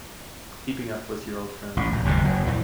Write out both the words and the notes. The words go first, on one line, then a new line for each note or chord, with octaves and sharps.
keeping up with your old friends and
A1
A#1
F#1 D#2 G#2 B2
F#1 F#3
A#1 F2 E3